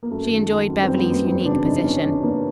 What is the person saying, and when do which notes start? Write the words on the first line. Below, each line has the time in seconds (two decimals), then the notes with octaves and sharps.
She enjoyed Beverly's unique position.
0.03 A#3
0.11 F#2 A3
0.30 D#3
0.39 A3
0.50 D#3
0.68 F#2
0.83 C4
0.88 G3
0.98 B3
1.07 F#2 A#3
1.26 E2 C4
1.46 C#3 D4
1.65 C#3 D#4
1.84 E2 C#4
2.03 C#3 D4
2.23 E2 A#3